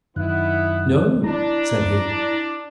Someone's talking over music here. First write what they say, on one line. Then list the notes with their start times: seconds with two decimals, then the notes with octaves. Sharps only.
"No," said he.
0.16 F#2 D#3 B3 E4 F#6
1.24 D4 E4 A#5